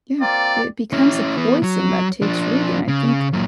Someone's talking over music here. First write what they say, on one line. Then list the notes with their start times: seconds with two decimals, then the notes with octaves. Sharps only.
Yeah. It becomes a poison that takes root, and I think
0.21 A#3 C4 F4 D5
0.93 C#4 E4
1.37 E3 B3
1.63 F#3
2.22 F3 D4
2.88 C#3
3.33 F#2 A#2